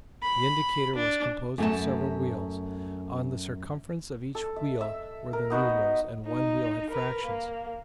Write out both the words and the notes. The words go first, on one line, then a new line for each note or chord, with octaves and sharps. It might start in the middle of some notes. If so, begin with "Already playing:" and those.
The indicator was composed of several wheels; on the circumference of each wheel were the numerals; and one wheel had fractions.
B5
D4
F#2 A3 A5
A4
E5
E5
A#4
B3 D#4 F#4 B4
D#4
A#4 B4
A#3